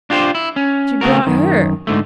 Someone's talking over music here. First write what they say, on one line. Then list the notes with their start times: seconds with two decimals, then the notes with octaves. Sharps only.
She brought HER.
0.10 D4 F4 G4 A#4 C5
0.35 E4
0.56 C#4
1.01 C#3 A3 B3 F#4 A#4
1.27 F#2 D#3
1.87 G#2 D3 A3